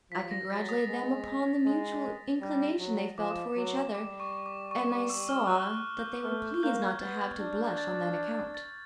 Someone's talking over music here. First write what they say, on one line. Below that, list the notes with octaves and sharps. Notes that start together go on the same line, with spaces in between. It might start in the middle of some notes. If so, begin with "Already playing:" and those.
I congratulated them upon the mutual inclination they felt for each other, and I saw that they were pleased not to have to blush on that account.
F3 B6
A#6
F#3 A6
D#6
G#3
G#3
G3
F#3
F3 D6
F#3
G3 D6
C#6
D6
C#6
D6
E6
F6
F#6
F#6
G6
A3 F6
A#3 G6
G#6
B3 A6
D4
A6
A6